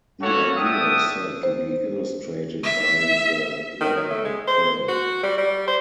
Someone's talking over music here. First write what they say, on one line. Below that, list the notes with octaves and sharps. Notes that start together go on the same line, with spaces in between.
The idea is said to be illustrated by the Laffer curve.
A3 A#3 C#4 F#4 A4 C#5
D4 E5 G5 D#6
C5
E5
D#3
F#3
A3
G#3
C5
F#4
G3
G3
C5